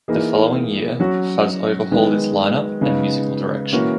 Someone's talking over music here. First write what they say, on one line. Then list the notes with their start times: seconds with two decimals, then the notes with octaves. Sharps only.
The following year, Phuz overhauled its lineup and musical direction.
0.08 E3 A#3 D#4 G#4
1.00 F#3 C#4 F#4
1.91 D#3 G#3 B3
2.81 C#3 G#3 B3 D#4
3.73 E3 A#3 C#4 F#4